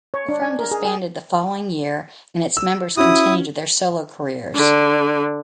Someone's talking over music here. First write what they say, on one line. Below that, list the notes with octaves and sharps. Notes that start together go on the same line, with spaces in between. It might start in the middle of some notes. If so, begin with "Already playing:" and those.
The Firm disbanded the following year and its members continued their solo careers.
C#5
D4
G#5
A#4
G#4
G#4
E6
C#4 E4 F#4 D#6
D3